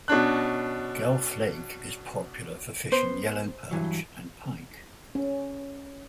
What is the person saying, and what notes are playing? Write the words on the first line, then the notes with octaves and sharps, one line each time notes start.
Guelph Lake is popular for fishing yellow perch and pike.
B2 C#4 D4 F#6
B3 C5
G2 E3 F#3
C#4